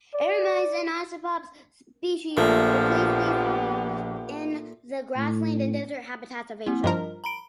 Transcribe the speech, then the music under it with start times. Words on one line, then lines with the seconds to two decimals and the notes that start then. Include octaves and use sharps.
"Eremias" and "Ophisops" species replace these in the grassland and desert habitats of Asia.
0.14 D5
2.37 A#1 A#2 F3 A3 B3 G4
5.17 A2
6.66 A#3 C4 E4
6.84 G2 F3 A#4 D#5
7.24 A#5 B5 D7